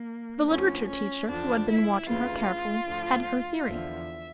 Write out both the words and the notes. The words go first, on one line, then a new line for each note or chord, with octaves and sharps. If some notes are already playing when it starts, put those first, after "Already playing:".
The literature teacher, who had been watching her carefully, had her theory.
Already playing: A#3
D2 D3 F3 C#4
C#4
E2 D3 F3 D4
E4
D2 C#3 E3 F4
D2 D3 F3
E2 D3 F3 E5